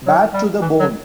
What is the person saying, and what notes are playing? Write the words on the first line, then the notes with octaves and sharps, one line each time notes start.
Bad to the bone.
F#3
G3
E3
F#3